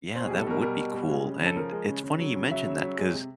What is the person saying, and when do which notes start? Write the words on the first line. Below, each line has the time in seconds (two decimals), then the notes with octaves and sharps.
Yeah, that would be cool. And, it's funny you mentioned that, 'cause,
0.15 B2 C5
0.27 G#4
0.30 G3
0.38 A4
0.47 B2 A#4
0.62 G3 A#4
0.78 B2
0.93 G3
1.09 G#3
1.25 C#3
1.41 C#3
1.46 A4
1.56 F3 A#4
1.72 G#3
1.89 C#3
2.03 C#3
2.20 F#3
2.35 C#3
2.51 F#3 E5
2.67 C#3
2.83 F#3
2.98 G#3
3.14 C3